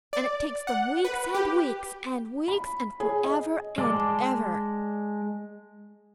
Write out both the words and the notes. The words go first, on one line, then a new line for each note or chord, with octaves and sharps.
And it takes them weeks and weeks and weeks, and for ever and ever.
D5
F#5
B4
G4
B5
G#4
D#5
G#3 D5 A5 D6